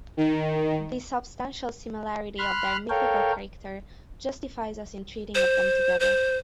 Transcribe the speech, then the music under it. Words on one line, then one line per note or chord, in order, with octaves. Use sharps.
The substantial similarity of their mythical character justifies us in treating of them together.
D#3
B5 C6 F6 F#6
A4 A#4 C#5 F5 G5
C5
C5